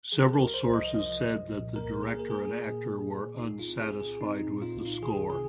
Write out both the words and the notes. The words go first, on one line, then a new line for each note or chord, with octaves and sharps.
Several sources said that the director and actor were unsatisfied with the score.
F3 G#4
A#4
C2
C5
C2
D#5
F3 D#5
C2
A#2
A#3 A#4
A#3 G#4
A#4
A#3 G#4
A#2
A#3
A#2
C2 D#4
F4
C4
G#4
A#2
G#4
C4 D#4
A#2
F4
C2
D#4
F4
D#3 G#4
C3 G#4